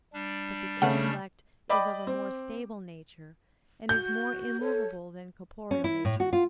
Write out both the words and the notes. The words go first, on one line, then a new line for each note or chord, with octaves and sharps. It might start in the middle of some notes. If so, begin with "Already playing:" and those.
But the intellect is of a more stable nature, and is more immovable than corporeal nature.
G3 D4
C#3 A3 F#5
D5 D#5 G5 B5 D6
C4
F#4 G6
A4 C#5
C#4
E4
A2
F#4
F4